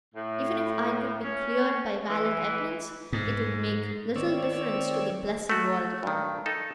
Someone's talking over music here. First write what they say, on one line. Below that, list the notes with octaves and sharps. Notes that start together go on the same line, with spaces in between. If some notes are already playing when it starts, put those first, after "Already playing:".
Even if I could be cleared by valid evidence, it would make little difference to the blessed world here.
A2
C#4
E3
G#2
D#3 C4 C#5 D5 E6
A3 F#4
G2 D#3
D#4 A4